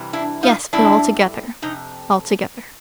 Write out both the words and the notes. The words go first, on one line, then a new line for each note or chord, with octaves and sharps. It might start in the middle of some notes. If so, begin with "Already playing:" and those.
"Yes, but altogether; altogether."
Already playing: C3 E3 G3
D4 E4
D#4 F4
G2 D3 G3 D4 E4
F2 C3 D#4